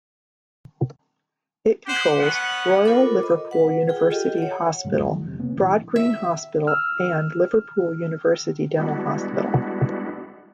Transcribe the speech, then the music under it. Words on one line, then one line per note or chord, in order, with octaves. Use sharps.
It controls Royal Liverpool University Hospital, Broadgreen Hospital and Liverpool University Dental Hospital.
G4 C5 F#5
B3 C#4 F#5
F4 A4 A#4 C5 B5 D6
D#5
B4 F#5
F4 G#4 G5
F4 G4 A4 D#5 G5
C#5 F#5
G#2 D3 G3 G#3
C#2 F#2
D#3 E3 F#3 A3
F1 C3
C#3 A#3 B3 C#4
G2 A#2 E3 F3
E5
E6 F6
G3 G#3 B3 D4 E4 F#4